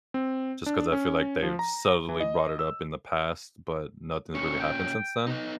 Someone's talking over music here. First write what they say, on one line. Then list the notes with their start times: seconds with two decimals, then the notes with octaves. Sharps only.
just 'cause I feel like they've subtly brought it up in the past, but nothing's really happened since then
0.14 C4
0.66 D4
0.92 C#4
1.43 F3
1.59 A#5
2.09 E3
2.20 D#5
2.59 E6
4.35 A#2 C#4 C#6
4.60 G5
5.27 B3 D#4